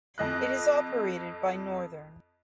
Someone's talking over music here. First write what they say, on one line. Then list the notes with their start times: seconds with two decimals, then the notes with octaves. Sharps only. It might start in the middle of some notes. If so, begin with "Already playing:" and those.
It is operated by Northern.
0.18 F2 D#5 F#6